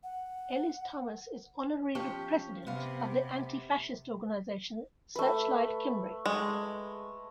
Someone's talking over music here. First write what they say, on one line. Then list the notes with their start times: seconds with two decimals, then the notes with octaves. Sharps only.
Elis-Thomas is Honorary President of the anti-fascist organisation Searchlight Cymru.
0.03 F#5
1.95 F3 C#4 G4
2.67 C3 B3 F5
5.16 A3 B4
6.26 G#3